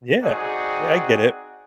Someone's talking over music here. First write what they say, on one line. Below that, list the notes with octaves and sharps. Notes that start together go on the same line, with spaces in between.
Yeah. Yeah, I get it.
C4 D#4 F#4 G#4 D5 F#5